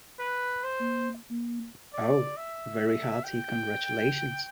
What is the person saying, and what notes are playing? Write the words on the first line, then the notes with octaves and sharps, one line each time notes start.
Oh, very hearty congratulations.
B4
C5
D5
E5
G5